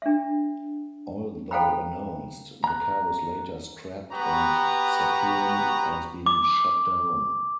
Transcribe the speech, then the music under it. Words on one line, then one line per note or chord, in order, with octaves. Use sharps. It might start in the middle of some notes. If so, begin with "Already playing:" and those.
Although announced, the car was later scrapped and Saturn has been shut down.
D4 E5
A4 C5 F5 G5 A#5 B5
A#5 F#6
B3 F#4 G4 B4 A#5
D6